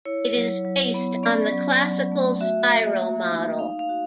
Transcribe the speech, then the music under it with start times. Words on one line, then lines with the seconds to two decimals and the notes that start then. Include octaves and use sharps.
It is based on the classical spiral model.
0.05 E4 C#5
0.35 F#3
0.65 F#3
0.94 B3
1.23 C#4 D5
1.52 F#3
1.82 F#3
2.12 A3
2.41 F#4 E5
2.71 A#3
3.00 A#3
3.30 D#4
3.59 D#4 F5
3.79 F5
3.89 F#4